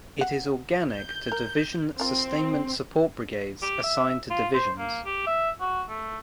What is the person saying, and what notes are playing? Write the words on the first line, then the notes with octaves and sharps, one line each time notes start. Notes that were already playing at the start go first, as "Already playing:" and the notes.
It is organic to division sustainment support brigades assigned to divisions.
F#5
G6
A#4
C4 F4 A#4
G4
E5
F4
C5
A#3
G4
E5
F#4
A3